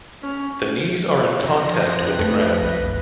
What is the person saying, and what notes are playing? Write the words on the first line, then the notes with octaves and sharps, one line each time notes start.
The knees are in contact with the ground.
C#4
C3 F3 A#6
F2 B4
F2 A3
C2
F#1